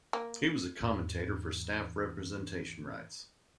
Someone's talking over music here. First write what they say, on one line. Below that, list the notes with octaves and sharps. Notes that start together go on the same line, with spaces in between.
He was a commentator for staff representation rights.
A#3
E2 G#2